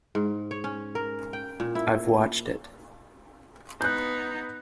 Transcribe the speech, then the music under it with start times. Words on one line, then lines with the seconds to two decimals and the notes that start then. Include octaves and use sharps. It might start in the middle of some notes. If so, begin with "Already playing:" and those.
I've watched it.
0.15 G#2
0.51 C#5
0.64 C#4
0.95 A#4
1.33 G5
1.60 A#2
1.75 E4
3.81 B3 D#4 F#6 G6